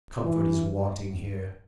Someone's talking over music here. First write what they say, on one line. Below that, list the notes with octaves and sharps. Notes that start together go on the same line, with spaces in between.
Comfort is wanting here.
E3